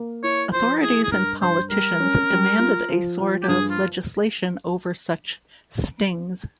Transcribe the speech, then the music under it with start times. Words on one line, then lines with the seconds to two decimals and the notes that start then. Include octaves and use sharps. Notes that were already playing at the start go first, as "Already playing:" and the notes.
Authorities and politicians demanded a sort of legislation over such "stings".
Already playing: A#3
0.23 E4 C#5
0.53 F3 C5
0.82 E4 G#4
1.03 G#4
1.12 G2 A#4
1.42 G2 C5
1.71 G3 A#4
2.00 C#4
2.30 G3
2.59 F4
2.89 F3
3.19 F3
3.42 G4
3.48 G2 G#4
3.70 F4